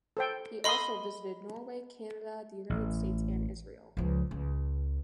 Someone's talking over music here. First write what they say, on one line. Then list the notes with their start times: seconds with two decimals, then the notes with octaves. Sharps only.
He also visited Norway, Canada, the United States and Israel.
0.17 A4 C5 G5
0.64 A4 D#5 B5 C6 D#6 G7
2.70 A1
3.97 C#2 F3
4.31 C#2